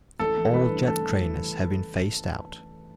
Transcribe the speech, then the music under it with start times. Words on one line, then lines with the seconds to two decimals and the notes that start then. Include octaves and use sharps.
All jet trainers have been phased out.
0.19 A1 A4
0.37 E3
0.53 A1 B4
0.70 G2
0.87 A1 A4
1.05 E3
1.21 E3